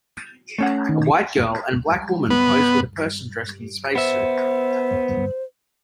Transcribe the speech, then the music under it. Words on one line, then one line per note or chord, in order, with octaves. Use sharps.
A white girl and a black woman pose with a person dressed in a spacesuit.
A3 C#4 F#5
D#3
B3
B3 C5 E5